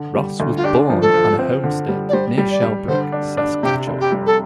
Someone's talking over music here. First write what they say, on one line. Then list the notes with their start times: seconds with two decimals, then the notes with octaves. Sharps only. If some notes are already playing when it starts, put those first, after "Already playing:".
Ross was born on a homestead near Shellbrook, Saskatchewan.
Already playing: D3
0.15 G3
0.40 D2
0.56 F4
0.64 D4 G4
0.90 F3
1.01 A4
1.14 F3
1.39 C4
1.63 D3
1.89 G3
2.09 D5
2.13 G3 C5
2.38 G3
2.51 D5
2.63 G3
2.88 D3 C5
3.12 D4
3.37 D4
3.63 C3 G4
3.87 F1
4.00 G4
4.12 G3
4.26 A4